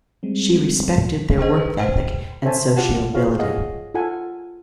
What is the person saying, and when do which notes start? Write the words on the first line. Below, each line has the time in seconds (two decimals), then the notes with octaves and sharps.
She respected their work ethic and sociability.
0.23 G3 G#3 C4
1.38 D4 G#4 C5 D#5
1.57 B4
1.77 C5 G5
2.44 A4 C5 C#5 E5 G#5 A5
2.76 F4 G4 F5 F#5 A5
3.14 F4 G#4 C5 C#5 F5
3.39 G4 G#4 D#5 F5 F#5
3.94 F4 A4 F#5 G#5